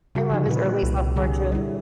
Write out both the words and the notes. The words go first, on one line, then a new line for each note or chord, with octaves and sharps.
I love his early self-portraits.
C#3 G3 F#4
D3 F3 D#4
A#2 D#4 B4
C2
D3 G3 G#4
G3 E4